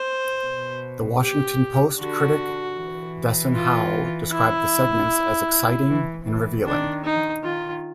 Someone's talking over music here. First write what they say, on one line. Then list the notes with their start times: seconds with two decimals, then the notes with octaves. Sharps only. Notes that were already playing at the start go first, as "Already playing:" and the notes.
"The Washington Post" critic Desson Howe described the segments as exciting and revealing.
Already playing: C5
0.43 B2
1.21 G4
1.98 D3 F#4
2.76 E3
3.54 F4
4.32 E4
5.88 E3
6.26 E3
6.64 D#3 D4
7.04 D#4
7.43 D#3 F4